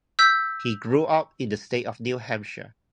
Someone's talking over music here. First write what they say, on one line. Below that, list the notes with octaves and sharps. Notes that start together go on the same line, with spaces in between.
He grew up in the state of New Hampshire.
E6 G6 B6